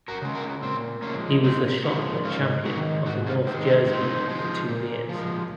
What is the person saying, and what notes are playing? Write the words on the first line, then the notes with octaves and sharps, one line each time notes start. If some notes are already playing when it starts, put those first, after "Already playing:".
He was the shot put champion of the North Jersey League for two years.
F#4 A#4
C#3 G#3
F#4 A#4
A#2 C4
F3 G#3 A#3 C#4
A#2 C4 D#4
F3 G#3 D#4 F#4
G#2 C#4 F4
D#3 G#3 D#4 F#4
G#2 D#4 F#4
C#4 F4
D#3 G#3 C4
C4 D#4
A#2 C4 D#4
F3 G#3
A#2
F3 G#3